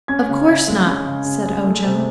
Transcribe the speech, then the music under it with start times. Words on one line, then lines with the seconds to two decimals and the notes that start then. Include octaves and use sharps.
"Of course not," said Ojo.
0.08 C#4 G#6
0.29 C#3
0.47 C#3 G#6
0.68 G#3
0.87 C#4
1.06 C#3
1.25 C#3
1.45 G#3
1.64 A3
1.84 C3